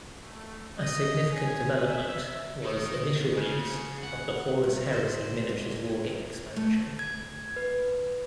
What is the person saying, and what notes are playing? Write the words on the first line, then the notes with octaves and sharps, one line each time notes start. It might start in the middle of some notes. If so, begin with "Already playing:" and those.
A significant development was initial release of the "Horus Heresy" miniatures wargame expansion.
A3
D#5
G#5
E5
D#3 D#4
C#3
F#5
G2
C5
G#2
G#5
A3
G#6
B4